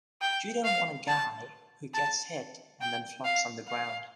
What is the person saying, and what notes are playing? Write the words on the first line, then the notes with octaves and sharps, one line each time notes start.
You don't want a guy who gets hit and then flops on the ground.
G5
F5
A5
A5
G5
F5
F5